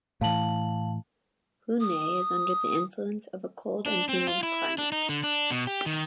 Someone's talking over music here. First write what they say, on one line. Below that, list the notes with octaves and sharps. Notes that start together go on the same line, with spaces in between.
Huinay is under the influence of a cold and humid climate.
A2 E3 F5 A5 F#7
D#6
D4
C4
F4
E4
D4
D#4
D3
D4
B2
G4
D#3